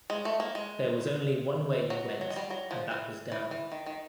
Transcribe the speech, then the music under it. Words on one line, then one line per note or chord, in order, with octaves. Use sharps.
There was only one way you went and that was down.
G#3
A3
A#3
G#3
F#3
F#3
G#3
G3
F#3
F3
E3
E3
E3
D#3
D#3